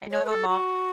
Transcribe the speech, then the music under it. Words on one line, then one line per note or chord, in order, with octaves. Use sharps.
know my mom,
C#5
B4
A4
F#4